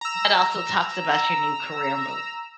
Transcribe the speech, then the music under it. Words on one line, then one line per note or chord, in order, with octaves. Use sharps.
but also talks about your new career move.
A#5 E6